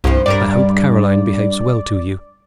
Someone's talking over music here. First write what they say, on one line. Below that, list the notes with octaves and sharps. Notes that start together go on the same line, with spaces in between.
I hope Caroline behaves well to you.
C2 G2 F3
G2 G3 A#4 D5